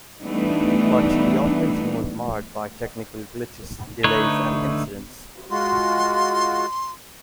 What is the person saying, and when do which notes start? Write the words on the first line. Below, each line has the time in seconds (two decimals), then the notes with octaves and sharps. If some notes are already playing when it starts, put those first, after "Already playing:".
But the operation was marred by technical glitches, delays and incidents.
0.22 E3 G3 A3 B3 D4 D#4
4.04 D3 A3 D#4 B4 C#5
5.51 G#3 F4 F#4 C6